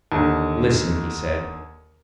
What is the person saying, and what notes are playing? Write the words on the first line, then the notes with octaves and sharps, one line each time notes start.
"Listen," he said.
D#2 D3